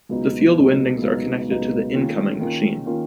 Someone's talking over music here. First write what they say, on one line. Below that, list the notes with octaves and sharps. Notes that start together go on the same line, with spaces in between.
The field windings are connected to the "incoming" machine.
C#2 B2 F#3 B3 D#4
C#2 B2 F#3 B3 D#4
C#2 B2 F#3 B3 D#4
C#2 B2 F#3 B3 D#4
D#3 A#3 C#4 F4
D#3 A#3 C#4 F4
D#3 A#3 C#4 F4